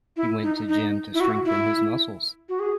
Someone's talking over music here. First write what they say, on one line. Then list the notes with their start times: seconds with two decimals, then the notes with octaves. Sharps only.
He went to gym to strengthen his muscles.
0.17 E4
0.43 D#4
0.69 D#4
1.14 E4
1.20 F#4
1.45 E4
2.49 F#4
2.60 G#4